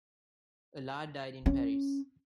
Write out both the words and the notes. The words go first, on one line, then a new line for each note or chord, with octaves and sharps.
Alard died in Paris.
C#4